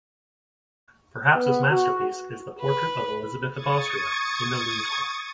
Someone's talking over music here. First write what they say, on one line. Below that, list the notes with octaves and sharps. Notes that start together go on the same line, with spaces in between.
Perhaps his masterpiece is the portrait of Elizabeth of Austria in the Louvre.
B3
F#4
B4
C#6 D#6 G#6 A6 C#7